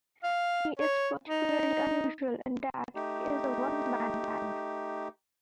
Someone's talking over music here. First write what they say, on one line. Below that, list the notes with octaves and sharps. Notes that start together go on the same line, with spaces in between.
He is particularly unusual in that he is a one-man band.
F5
C#5
D#4
A3 D#4 G4